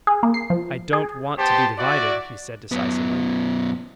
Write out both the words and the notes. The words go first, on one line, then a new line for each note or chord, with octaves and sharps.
"I don't want to be divided," he said decisively.
G#4
A#3
C7
F3
G#4
B3 G4 C5 A5
E4 F#4 D5
F#2 B3